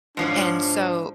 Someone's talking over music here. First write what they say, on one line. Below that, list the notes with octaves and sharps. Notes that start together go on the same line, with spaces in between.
and so
G#2 F3 D4 C#5